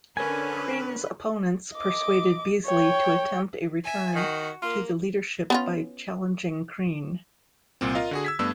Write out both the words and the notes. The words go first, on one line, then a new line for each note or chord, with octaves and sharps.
Crean's opponents persuaded Beazley to attempt a return to the leadership by challenging Crean.
D3 C#4 A#4 B4 G#5
D#5 D6
C#5 G5
E5 G#5
D#3 F#4
A#3 F4
B3 C#4 F4
C2 A#2 C4
F4 A#4 D#5 F5
D3 F#4 G#4
E6 G#6 B6
G2 A3 B3 D4 E6